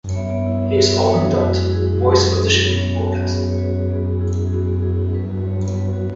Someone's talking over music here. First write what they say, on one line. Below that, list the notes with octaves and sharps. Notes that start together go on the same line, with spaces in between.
He is often dubbed "Voice of the Shipping Forecast".
C#5
B3 E5
B3
E4
E4
B3 F#4
B3 E5
C#5
E4
B4
E4 G#4
G#3 F#4
G#3
E4 G#4
E4
G#3 F#4
G#3
E4 G#4
E4
B3 C#5
B3
F#4 B4
F#4
B3 G#4
B3
C#5
F#4 B4
F#4
B3 G#4
B3
E4 G#4
E4
G#4
B3 F#4
B3
E4 G#4
E4
F#3 B4
F#4
F#3 C#5
B3
F#3 B4
F#4